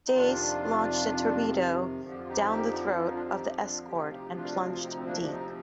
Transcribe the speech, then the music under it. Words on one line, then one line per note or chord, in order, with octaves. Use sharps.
"Dace" launched a torpedo "down the throat" of the escort, and plunged deep.
D#4
F2 C3 D#3 D4 F4
F2 D3 F3
G4
F4
D#4 G4
F4
D#4
D4 F4
D#4 G4
D4 F4
D2 C3 F3 G4
F4
D#4 G4
D4 F4
F4
C4 D#4
C4
A#3 D4
D4
C4 D#4